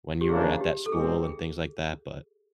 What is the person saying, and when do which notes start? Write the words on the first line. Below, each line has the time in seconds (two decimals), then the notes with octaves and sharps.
when you were at that school and things like that, but
0.21 G4
0.29 E2 C#3 F3 A#3 D4 G#4
0.61 G4
0.86 A4
0.92 B2 G#3 C4 G#4
1.23 G#4